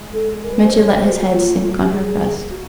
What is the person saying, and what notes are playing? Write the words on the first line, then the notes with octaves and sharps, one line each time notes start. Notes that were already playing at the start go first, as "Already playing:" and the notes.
Mitya let his head sink on her breast.
Already playing: G#3
A4
G3 A#4
B4
C5
F3 C#5
A3 C5
F#4
A#3 F4
F4
F#4
G4
A#3 G#4
F#4